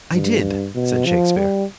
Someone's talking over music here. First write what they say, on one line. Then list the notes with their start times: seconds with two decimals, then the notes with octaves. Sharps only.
"I did," said Shakespeare.
0.14 G2
0.75 B2
1.06 F3
1.37 G3